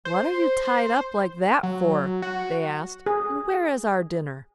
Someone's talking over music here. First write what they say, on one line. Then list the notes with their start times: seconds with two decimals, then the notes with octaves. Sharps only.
"What are you tied up like that for?" they asked; "and where is our dinner?"
0.05 C5
1.63 F#3
2.22 F#4
3.06 G#4